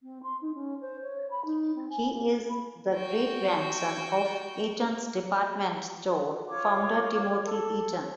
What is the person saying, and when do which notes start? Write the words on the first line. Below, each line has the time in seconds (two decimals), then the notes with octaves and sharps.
He is the great-grandson of Eaton's department store founder Timothy Eaton.
0.03 C4
0.23 C6
0.42 D#4
0.54 C#4
0.81 C5
1.03 C#5
1.31 B5
1.45 D#4
1.75 C4
1.90 G#5
2.12 A#3
2.50 B5
2.94 F#4 G5
6.48 F4 C#5 D6
7.46 A4